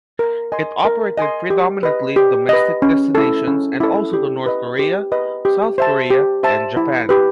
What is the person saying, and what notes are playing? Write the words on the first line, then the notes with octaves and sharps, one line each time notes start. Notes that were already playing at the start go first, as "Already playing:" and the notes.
It operated predominantly domestic destinations and also to North Korea, South Korea and Japan.
A#4
D#5 G#5 C6
A#4
D#5 G#5 C6
G4
B4 D#5
G4
B4 D#5
C#4
E4 A4
C#4
E4 A4
G4
B4 D#5
G4
B4 D#5
G4
C5 E5 A5
G4
C5 E5 A5
E4
G4 B4